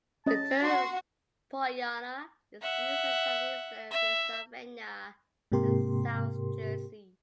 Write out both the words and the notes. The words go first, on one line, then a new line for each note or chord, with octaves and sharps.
The term "Pollyanna" is used in Southeastern Pennsylvania and South Jersey.
C#4 D#5 A5
F#4 C6
E5 F#5
E5
G#2 C3 A#3 G4 A#4 C6